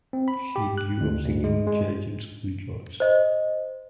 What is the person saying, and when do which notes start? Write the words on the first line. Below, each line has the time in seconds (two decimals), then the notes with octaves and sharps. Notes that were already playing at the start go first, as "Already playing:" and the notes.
She grew up singing in church and school choirs.
0.13 C4
0.28 B5
0.56 G4
0.78 F#6
1.00 D2
1.24 D2
1.44 G#3
1.67 G#3
3.00 C5 D#5